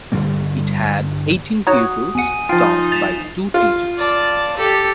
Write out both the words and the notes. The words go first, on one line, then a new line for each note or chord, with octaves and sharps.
It had eighteen pupils taught by two teachers.
G2 D3 G3 A#3
D#4 F#4 C#5 D#6
E2 F#5 G#5 D#7
F3 D#4 F4 G5 A6 C7
A6 B6 E7 F7
F4
D5 A5
G4 A4